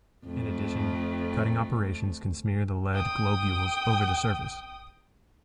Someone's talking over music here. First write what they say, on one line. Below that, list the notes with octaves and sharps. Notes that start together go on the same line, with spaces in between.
In addition, cutting operations can smear the lead globules over the surface.
F2 A3
G5 D#6